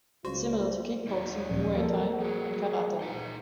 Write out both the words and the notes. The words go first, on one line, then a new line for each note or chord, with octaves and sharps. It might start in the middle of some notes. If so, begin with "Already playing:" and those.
It is similar to kickboxing, Muay Thai, and karate.
C#2 C#4 F4 F#4 C5 D5
G3 D#4 D5
D#1 F3
A#3 C4 A4
G3 F#4 G#4
D#4 F#5 A#5